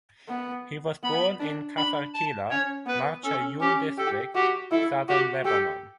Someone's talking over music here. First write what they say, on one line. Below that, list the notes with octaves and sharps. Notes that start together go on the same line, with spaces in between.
He was born in Kafarkila, Marjayoun district, southern Lebanon.
B3
B3 B5
D4
D4 B5
A5
C#4 C#5
B3 B4
C#4 A4
C#4 G4
G4 A4
F#4 G4
E4 A4
F#4 G4
G4 A4